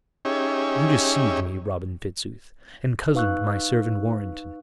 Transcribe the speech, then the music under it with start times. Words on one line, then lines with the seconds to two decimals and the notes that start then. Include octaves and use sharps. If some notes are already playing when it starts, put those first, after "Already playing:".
You deceived me, Robin Fitzooth, and cozened my servant Warrenton.
0.25 C#4 D#4 G4 G#4 C#5 E5
3.14 D#4 B4 F5 C#6 E6 F#6